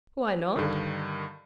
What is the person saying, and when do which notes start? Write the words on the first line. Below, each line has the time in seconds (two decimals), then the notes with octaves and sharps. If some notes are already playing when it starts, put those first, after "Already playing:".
"Why not?"
0.56 G2 D3 D#3